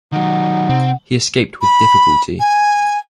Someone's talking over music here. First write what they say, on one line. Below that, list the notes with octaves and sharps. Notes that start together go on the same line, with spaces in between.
He escaped with difficulty.
D#3 F#3 D#4 F#5
C3 C4
B5
G#5